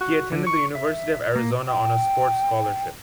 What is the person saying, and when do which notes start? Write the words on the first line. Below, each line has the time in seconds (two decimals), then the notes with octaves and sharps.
He attended the University of Arizona on a sports scholarship.
0.01 F#4
0.32 D3
0.47 C#6
0.75 E5
1.36 A#3
1.68 G5